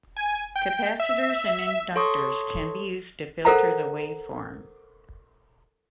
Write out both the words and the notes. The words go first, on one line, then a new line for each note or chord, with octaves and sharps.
Capacitors and inductors can be used to filter the waveform.
G#5
G5
E5
A4 C#5 A5 C6 C#6 D#6
A4 A#4 C5 F5 F#5 A#5